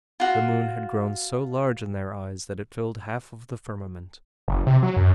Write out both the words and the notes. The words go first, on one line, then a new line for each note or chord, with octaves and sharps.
The moon had grown so large in their eyes that it filled half of the firmament.
F4 F#4
F#1
C3
F#3
F#2